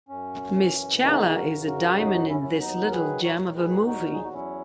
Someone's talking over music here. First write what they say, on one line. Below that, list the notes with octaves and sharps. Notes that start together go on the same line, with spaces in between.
Ms Chawla is a diamond in this little gem of a movie.
F#2 C#4
E3
C#3 B3 D#4
G#4
F#4 A#4
F#2
F#4 A#4
D#2 D#4 F#4
C#4 E4
F#3
B3 D#4
A#4
D#3 G#4 B4
A#4 C#5
D#2
G#4 B4
E2 D#4 F#4
A#4
G#4
F#4
F#3 C#4 E4